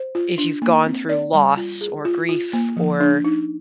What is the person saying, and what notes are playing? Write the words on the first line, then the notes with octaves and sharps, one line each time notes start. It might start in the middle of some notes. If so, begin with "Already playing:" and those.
if you've gone through loss or grief or
Already playing: C5
F4
D4
A#3
C4
D5
G3
F4
G#4
F4
F4
A#3
F3
D4
D#4